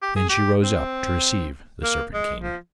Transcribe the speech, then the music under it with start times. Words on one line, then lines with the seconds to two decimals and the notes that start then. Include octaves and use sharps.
Then she rose up to receive the Serpent King.
0.02 G4
0.16 G#4
0.29 G4
0.63 C4
1.83 A#3
2.14 G#3
2.43 F3